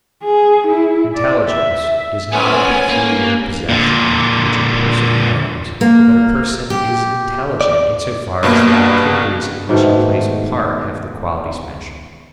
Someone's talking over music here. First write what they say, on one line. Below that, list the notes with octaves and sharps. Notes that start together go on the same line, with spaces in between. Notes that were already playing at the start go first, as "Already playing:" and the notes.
Intelligence is not a peculiar possession which a person owns; but a person is intelligent in so far as the activities in which he plays a part have the qualities mentioned.
G#4
E4
D5
E5
B3 C#4 B4 C5 G#5
A#3
A#2 D3
A#3
G4
D5
G2 B2 A#3
G#2 B2 D#3 A3